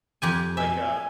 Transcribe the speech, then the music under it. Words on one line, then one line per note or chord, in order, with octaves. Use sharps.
Like, uh
F2 G4 G#5
E5 G#5